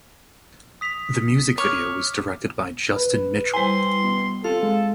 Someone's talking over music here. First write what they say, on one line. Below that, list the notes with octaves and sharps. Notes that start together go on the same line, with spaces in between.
The music video was directed by Justin Mitchell.
D#6 B6 F7
C#5 D6 F6
B4
G3 E4 C5 G#5 C6
B2
C4 F4 A4 F5
G#3